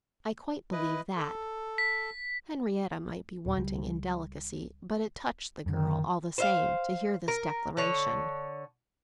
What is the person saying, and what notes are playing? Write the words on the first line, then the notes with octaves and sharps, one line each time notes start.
"I quite believe that." Henrietta might be wanting in delicacy, but it touched the girl, all the same, to hear this declaration.
E4 B4 D#5
A4
B6
D#1
C#2 G3
F#2 D3 D#3
C5 E5 F5
A#4
D3 C#5